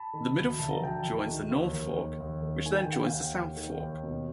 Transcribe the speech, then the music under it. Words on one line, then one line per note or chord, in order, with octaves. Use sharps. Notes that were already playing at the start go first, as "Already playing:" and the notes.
The Middle Fork joins the North Fork, which then joins the South Fork.
Already playing: A5 B5
D#3
D2
D2 A5
A#5
D2 G5 A5
D2
D#3
D#2
D#2
D#3
D#2
D#3
D#3 G#5
G5
D#3 F#5
F5 G5
D#2
D#2
D#3
D#2
B2